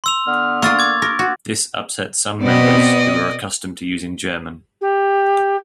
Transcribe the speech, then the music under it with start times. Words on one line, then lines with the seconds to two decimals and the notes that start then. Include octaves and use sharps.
This upset some members who were accustomed to using German.
0.04 C6 E6 F7
0.26 D3 B3 F6
0.62 A#3 F4 C#6 E6 A6
0.79 D6 G#6
1.02 A#4
1.19 F#4
2.43 B2 B3 C4 D5 D#5
4.81 G4